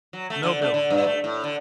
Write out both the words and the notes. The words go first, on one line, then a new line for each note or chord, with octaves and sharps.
No build, yeah.
F#3
A3
D3
A3
D3
G2
A3
A2
D3